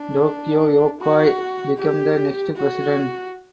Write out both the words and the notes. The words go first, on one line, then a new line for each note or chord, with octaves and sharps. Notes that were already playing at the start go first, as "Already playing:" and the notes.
Tokio Yokoi became the next president.
Already playing: D4
F#4
G4
F#4